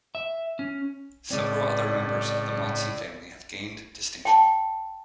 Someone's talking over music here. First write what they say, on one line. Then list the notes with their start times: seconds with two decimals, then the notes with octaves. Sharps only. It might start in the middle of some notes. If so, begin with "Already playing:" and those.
Several other members of the Monson family have gained distinction.
0.15 E5
0.59 C#4
1.30 A2 C#3 G#3 C4 D5
4.25 G5 A5